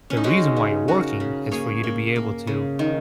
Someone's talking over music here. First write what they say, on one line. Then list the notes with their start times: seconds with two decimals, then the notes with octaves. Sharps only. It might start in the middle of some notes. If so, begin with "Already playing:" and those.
the reason why you're working is for you to be able to
0.10 C#4
0.17 D#4
0.24 G#3 C#4 F#4
0.56 C#3
0.88 C#3 F#4 A#4
1.20 C#3
1.52 A#3 G#4 C#5
1.83 A#3
2.16 A#3
2.47 C#3
2.79 D#3